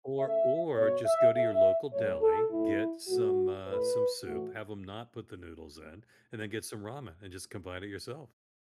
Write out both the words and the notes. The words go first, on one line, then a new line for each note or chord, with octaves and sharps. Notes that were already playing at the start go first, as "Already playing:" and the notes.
Or or just go to your local deli, get some, uh some soup, have ‘em not put the noodles in, and then get some ramen, and just combine it yourself.
C#3 A3 E5
B2 B3 C#5
E5
A2 A3 E5
A2 F#3 A3 C#5
A4
A2 A3 E4
A2 F#3 A3 F#4
A2 A3 B4
A2 E3 A3 F#4